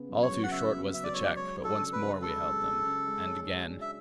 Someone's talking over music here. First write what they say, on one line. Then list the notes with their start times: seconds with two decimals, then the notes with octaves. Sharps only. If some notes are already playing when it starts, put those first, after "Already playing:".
All too short was the check, but once more we held them--and again.
Already playing: C#3 B3
0.09 F#3
0.23 C#5
0.30 F#3
0.43 F#5
0.51 C#3 E5
0.72 B3
0.94 C#3 E5
1.04 D5
1.14 F#3 C#5
1.23 D5
1.36 G#3 C#5
1.57 D4
1.64 A4
1.78 C#3
1.92 B4
2.00 C#3
2.21 G#3 A4
2.42 G#3
2.63 G#3
2.85 C#3
3.06 G#3
3.27 C#5
3.48 F#4
3.69 D4
3.81 E5